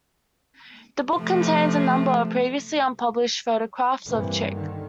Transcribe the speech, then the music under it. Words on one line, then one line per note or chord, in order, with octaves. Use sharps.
The book contains a number of previously unpublished photographs of Chick.
C3 F3 A3
G2 C3 E3 A#3
D3 D#3